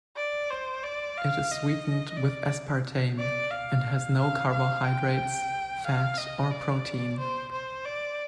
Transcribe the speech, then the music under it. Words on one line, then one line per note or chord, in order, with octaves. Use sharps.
It is sweetened with aspartame and has no carbohydrates, fat, or protein.
D5
C5
D5
F5
D#5
D5
D5
F5
F5
F5
G5
F5
D#5
D5
C5
C5
D5